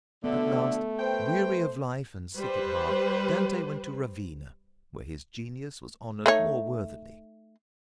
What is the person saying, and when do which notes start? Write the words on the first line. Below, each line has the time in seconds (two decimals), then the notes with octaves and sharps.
At last, weary of life and sick at heart, Dante went to Ravenna, where his genius was honored more worthily.
0.24 B2 D3 A3 B3 E5
0.99 B4 C5 G5
2.35 G3 B4 C5
6.26 A3 D#4 C#5